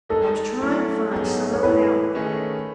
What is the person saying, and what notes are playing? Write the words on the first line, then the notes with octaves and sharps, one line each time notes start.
I was tryin' to find some outfit.
G#3 D#4 G#4 A4 D#5
F#3 A3 C#4 E4 A4
G#2 F#3 B3 D#4 G#4
C#5
A2 E3 A3 B4
D#3 A3 C#4 G#4 D#5